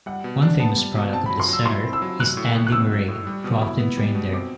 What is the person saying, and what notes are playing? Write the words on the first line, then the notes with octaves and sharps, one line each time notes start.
One famous product of the centre is Andy Murray, who often trained there.
G3 F#5
B2
D4
B3 A5
G3
B2
C4 A5
B5
F#3
C6
F#3 E6
E4 C6
C4
E6
F#3
F#3 F#6
A2
A2
F#6
C4 E6
F#3
A2
G3
B2
E4
B3
G3
B2
C4 D6